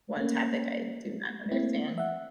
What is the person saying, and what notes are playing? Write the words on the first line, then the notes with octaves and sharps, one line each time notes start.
one topic I do not understand.
A3 A#3 C#4
A3 A#3 C4 E4
E5 F#5